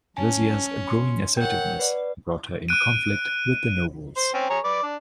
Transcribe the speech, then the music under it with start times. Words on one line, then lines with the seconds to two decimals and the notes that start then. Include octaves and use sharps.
Razia's growing assertiveness brought her in conflict with the nobles.
0.17 C#4 G#5 A5
0.89 C6 C#7
1.37 A#4 C#5 F#5 G5 G6
1.79 B4 D5
2.68 F#6 D7 D#7
4.17 C5
4.34 C4 C#4
4.50 G#4 C#5 A#5
4.64 B4 D5
4.83 D4